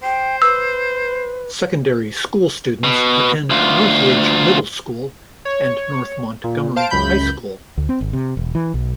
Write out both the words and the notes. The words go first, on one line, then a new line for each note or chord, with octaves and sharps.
Secondary school students attend Northridge Middle School and North Montgomery High School.
C5 G5
B4 E6
B2
D2 F4
C#5
A#2
C5 F5 A5 D7
C#2 F#2 B5 G6
D2
C4
G#1
C3
E1
E3
B1